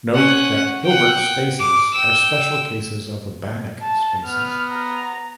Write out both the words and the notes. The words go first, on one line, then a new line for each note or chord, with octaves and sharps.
Note that Hilbert spaces are special cases of Banach spaces.
C#4 F#5
F#5 G5
D6
G5 E6
A5
B3 F6
A#5